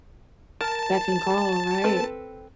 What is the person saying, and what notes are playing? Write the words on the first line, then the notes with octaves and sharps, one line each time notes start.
Beck and call, right.
A#4 A5
C4 A4 B4